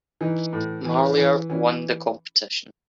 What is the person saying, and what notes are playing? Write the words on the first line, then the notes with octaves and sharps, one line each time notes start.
Marlier won the competition.
E3 D#4
A2
E3
E3
E3 C#4